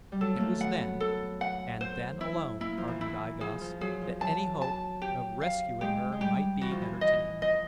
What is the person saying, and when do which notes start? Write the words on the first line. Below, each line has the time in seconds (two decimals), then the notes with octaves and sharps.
It was then, and then alone, argued I-Gos, that any hope of rescuing her might be entertained.
0.12 G3
0.21 F#3 A4
0.36 A3 A#3
0.60 B3 F#5
0.81 B3
1.00 A4
1.41 F#5
1.81 C5
2.21 E4
2.60 A#3 E4
2.78 F3
2.88 E3
3.01 E4
3.40 F3 G#4
3.61 F3
3.81 F#3 G#4
4.01 F3
4.21 F#3 A5
4.62 A5
5.02 G4
5.41 F5
5.81 G#3 G4
6.12 G#3
6.21 G3 G4
6.61 E3 F#4
6.71 F3
6.82 E3
7.01 D#5
7.41 F3 D#5